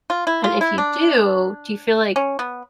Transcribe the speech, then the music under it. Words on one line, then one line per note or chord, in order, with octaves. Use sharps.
And if you do, do you feel like
F4
E4
F4
E4
D4
C#4
B3